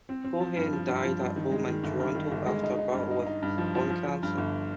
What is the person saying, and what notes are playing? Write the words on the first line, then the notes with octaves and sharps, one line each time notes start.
Cohen died at home in Toronto after a battle with lung cancer.
C4
C4
F3
G2
F3
G2
F3
G2
D#3
G#3
D#3
G1
G2
D#3
G1
G#3
D#4
D#4
G2
D#4
D#4
G2
F3
F3
F3
F3
G2
G1